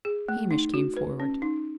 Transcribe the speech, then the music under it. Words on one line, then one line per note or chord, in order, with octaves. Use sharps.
Hamish came forward.
G#4
A3
D#4
F#4
B4
C#4
D#4